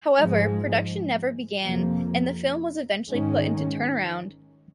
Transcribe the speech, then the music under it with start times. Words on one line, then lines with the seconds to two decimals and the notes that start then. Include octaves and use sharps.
However, production never began and the film was eventually put into turnaround.
0.18 G#2 F3 G#3
1.64 F2 C3 F3 A#3
3.10 G#2 D#3 G#3 C#4